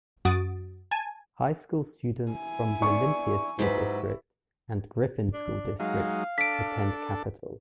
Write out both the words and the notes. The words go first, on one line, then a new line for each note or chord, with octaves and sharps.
High School students from the Olympia School District and Griffin School District attend Capital.
F#2 F#4 D#6 A6 D7
G#5 A5
E4 G#5
B3 D4 C#6
G#2 F#3 E4 G4 B4
D4
F#3 G#3 D#4 F5
D4 A4 B6 D7